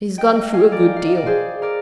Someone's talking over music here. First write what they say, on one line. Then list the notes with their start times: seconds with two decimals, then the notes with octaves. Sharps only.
He's gone through a good deal.
0.18 D#5 G5
0.36 D#5 G5
0.53 F5 G#5
0.72 A#4 D5
0.86 G5
0.96 F5
1.07 D#5
1.17 D5
1.26 G#4 C5
1.62 A#4 D5